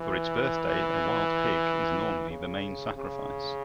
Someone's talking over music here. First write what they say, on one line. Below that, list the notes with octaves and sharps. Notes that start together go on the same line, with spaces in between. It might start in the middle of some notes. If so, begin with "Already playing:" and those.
For its birthday a wild pig is normally the main sacrifice.
Already playing: E3
C#3
C#3